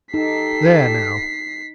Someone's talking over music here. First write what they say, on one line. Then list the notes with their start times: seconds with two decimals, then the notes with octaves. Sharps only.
'There now.
0.14 D#4 G4 A4 B6 C7